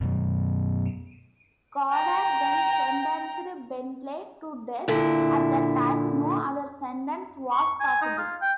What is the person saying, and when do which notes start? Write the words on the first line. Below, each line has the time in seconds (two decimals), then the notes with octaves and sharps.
Goddard then sentenced Bentley to death: at the time, no other sentence was possible.
0.01 F#2 B2
1.90 G5 A#5
4.88 A#2 D3 E4
7.51 C#6
7.80 G#5
8.02 D#4
8.18 F4
8.42 G5